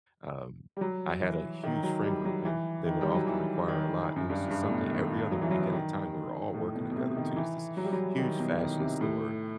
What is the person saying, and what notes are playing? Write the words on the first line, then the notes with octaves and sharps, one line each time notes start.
Um, I had a huge friend group, and they would often require a lot. It was just something every other week at the time, we were all working together too. It's this huge fashion store
G3
F#3
E3
D#3
F#3
G3
F#3
E3
D#3
G3
F#3
E3
D#3
F#2
G2
G2
A2
B2
D#3
F#3
E3
F#3
D#3
A2
B2
B2
C3
D#3
E3
F#3
G3
F#3
D#3
B2
D#3
C3
A2